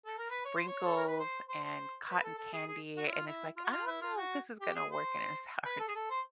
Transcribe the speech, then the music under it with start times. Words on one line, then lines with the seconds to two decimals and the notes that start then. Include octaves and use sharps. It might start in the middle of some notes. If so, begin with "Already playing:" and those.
sprinkles, and cotton candy, and it's like, "I don't know if this is gonna work in a sourdough.“
0.06 A4
0.18 A#4
0.30 B4
0.45 C#5
0.56 C5
0.68 C#5
0.85 A4
0.96 A#4
1.08 B4
1.20 C5
1.49 C5
1.64 C5
2.09 B4
2.24 A4
2.38 A4
2.54 G#4
2.68 G#4
2.97 F#4
3.07 E4
3.12 F4
3.27 E4
3.57 F4
3.65 F#4
3.72 F4
3.87 E4
4.02 F4
4.17 F#4
4.61 G4
4.76 G#4
4.91 C5
5.66 B4
5.80 A4
5.88 G#4
5.96 A4
6.11 C5